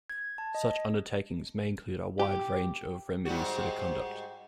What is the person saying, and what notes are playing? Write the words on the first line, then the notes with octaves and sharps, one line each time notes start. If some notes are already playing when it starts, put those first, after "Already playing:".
Such undertakings may include a wide range of remedies to the conduct.
G#6
A5
D#5
G4
G#2 G3 F#4